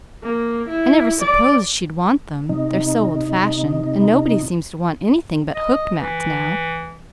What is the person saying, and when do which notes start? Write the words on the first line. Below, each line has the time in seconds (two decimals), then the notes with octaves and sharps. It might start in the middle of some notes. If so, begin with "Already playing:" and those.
I never supposed she'd want them--they're so old-fashioned, and nobody seems to want anything but hooked mats now.
0.23 A#3
0.68 E4
1.21 D5
2.49 C3 D#4
5.55 D#5
5.97 E3